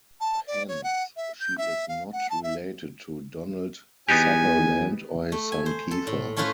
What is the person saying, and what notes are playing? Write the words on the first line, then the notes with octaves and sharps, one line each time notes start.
Hence she is not related to Donald Sutherland or his son Kiefer.
A5
D5
C#5
F#5
E5
G6
E5
F5
F#5
A5
E5
E2 B3 D#4 G4 G#5
A3
G#5
C5
A4
A2
A3 C#4 E4 F4 B4 C5